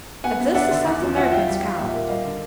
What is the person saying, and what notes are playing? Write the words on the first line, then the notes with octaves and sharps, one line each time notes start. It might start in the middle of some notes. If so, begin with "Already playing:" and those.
At this the South American scowled.
B3 F#5 G#5
B3
D4 E5 F#5
D3
E2
F3
F3 E5 F#5
F3 F5 G5
G3
G3 F5 G5
A#2 E5 F#5
A#3
G3 D#5 F5
D3